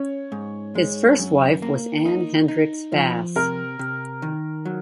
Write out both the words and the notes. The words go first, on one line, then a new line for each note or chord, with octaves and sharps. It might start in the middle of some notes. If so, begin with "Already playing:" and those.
His first wife was Anne Hendricks Bass.
Already playing: C#4 C#5
G#2
G#3
F#2
A#3
D#4
D#4
F3
C3 A#4
C3
D#3
F#3